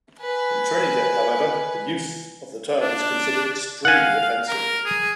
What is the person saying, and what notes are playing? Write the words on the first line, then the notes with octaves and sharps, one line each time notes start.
In Trinidad, however, use of the term is considered extremely offensive.
B4 G#5
D4
F5 F#5 G#5
A#4
G#4